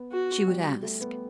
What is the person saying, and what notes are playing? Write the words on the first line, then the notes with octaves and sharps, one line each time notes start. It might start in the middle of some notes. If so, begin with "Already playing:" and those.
She would ask.
Already playing: B3
F#4
G3
A3
B3